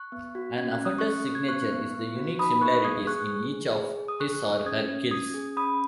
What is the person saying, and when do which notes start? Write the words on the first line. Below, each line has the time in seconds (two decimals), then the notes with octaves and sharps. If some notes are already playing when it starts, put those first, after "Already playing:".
An offender's signature is the unique similarities in each of his or her kills.
Already playing: C#6 F#6
0.12 B3
0.35 F#4
0.58 C#4 G#6
0.71 F#6
0.81 C#4 D#6
0.98 C#4 C#6 F#6
1.26 C#4
1.35 G#6
1.48 B3 C#6 F#6
1.72 B3
1.94 B3
2.16 F#4
2.39 D#4 B5 D#6
2.61 B3 C#6 F#6
2.84 G#4 D#6 G#6
3.07 G#4 C#6 F#6
3.30 G#4
3.53 G#4
3.75 G#4
3.98 G#4
4.08 D#6
4.20 G#4 C#6 F#6
4.44 G#4
4.66 C#4 D#6 G#6
4.88 C#4
5.11 C#4 D#6 G#6
5.34 G#4
5.57 C#4 B5 D#6